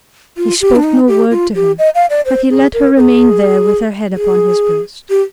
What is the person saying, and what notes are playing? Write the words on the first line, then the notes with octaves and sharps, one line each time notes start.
He spoke no word to her, but he let her remain there with her head upon his breast.
F4
G4
D4
D#4
G4
F4
G4
D#5
F5
D5
C5
G#4
A#4
A#4
G#4
G#4
G4